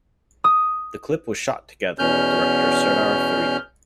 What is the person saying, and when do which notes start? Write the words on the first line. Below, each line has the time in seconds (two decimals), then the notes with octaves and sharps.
The clip was shot together with director Serdar Ferit.
0.44 D#6
1.99 E2 B2 C#4 F6 G6